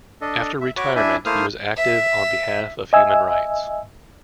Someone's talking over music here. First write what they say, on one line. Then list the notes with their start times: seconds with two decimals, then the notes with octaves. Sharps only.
After retirement he was active on behalf of human rights.
0.21 D4 A4 D#5
0.61 E5
0.77 F#4 C#5 B5 C#6 D6 F#6
0.96 D4 E4 E5 G#5
1.25 A3 A#3 E4 C5 D#6 F6
1.77 E5
2.93 D#5 E5 G#5 E6